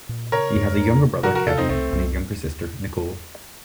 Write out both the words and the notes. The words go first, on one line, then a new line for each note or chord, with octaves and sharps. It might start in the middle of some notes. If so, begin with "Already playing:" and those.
He has a younger brother, Kevin, and a younger sister, Nicole.
A#2
C#3 A#4 C#5
F2
A#3
C3
F3 F#4 A#4
F#4 A#4
C3 F4 A4
C4 D#4
C2 A3 C4
C2